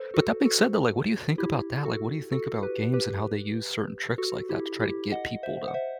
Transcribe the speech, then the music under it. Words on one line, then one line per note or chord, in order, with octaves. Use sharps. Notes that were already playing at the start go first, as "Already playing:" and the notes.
but that being said though, like, what do you think about that? Like, what do you think about games and how they use certain tricks like that to try to get people to
Already playing: A4 B4 C5
F#4 A4
F#4 A4
E4 G4
F#4 A4
F#4 A4
G4 B4
G4 B4
F#4 A4
E4 G4
E4 G4
D#5 F#5
C5 E5
F#5
C5 E5